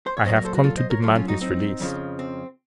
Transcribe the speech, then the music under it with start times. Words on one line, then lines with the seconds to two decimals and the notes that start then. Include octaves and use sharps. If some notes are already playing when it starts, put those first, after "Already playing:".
"I have come to demand his release."
0.06 C5
0.17 C#5
0.25 A#2 F#3 C5 D#5
0.36 A#4 C#5
0.45 A4 C5
0.54 F#4 A#4
0.64 F4 A4
0.77 C5 D#5
0.90 A#4 C#5
1.02 A2 F#3 F4 A4
1.15 C#4 F4
1.28 D#4 F#4
1.41 C4 D#4
1.80 F2 C#3 F3
2.19 C4